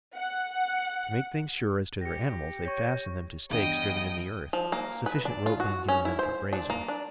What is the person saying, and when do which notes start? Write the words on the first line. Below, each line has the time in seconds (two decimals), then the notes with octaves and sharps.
To make things sure as to their animals, they fastened them to stakes driven in the earth, sufficient rope being given them for grazing.
0.15 F#5
2.01 G4 A#6 C#7
2.65 C#5 C#6 G6 A#6
3.50 E2 G2 D#5 G5
4.53 F3
4.72 A#3
5.06 B4
5.25 D4
5.46 F4
5.60 F#4
5.89 C#4
6.05 E4
6.19 C5
6.53 D4
6.70 A#3
6.88 D4